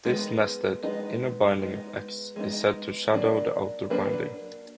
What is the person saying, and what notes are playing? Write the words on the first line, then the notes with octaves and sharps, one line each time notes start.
This nested, inner binding of x is said to "shadow" the outer binding.
G#3 B3 D#4
G#3 B3 D#4
G#3 B3 D#4
G#3 B3 D#4
F#3 A#3 D4
F#3 A#3 D4 B4